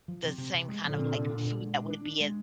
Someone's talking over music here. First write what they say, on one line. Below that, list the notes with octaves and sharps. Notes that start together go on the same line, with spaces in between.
the same kind of like, food that would be an
F3
C3
C3
C3
G#3
A#2 D3 F3
C4
C3
D4
A#2
G#3
D4
D4
D4
G#3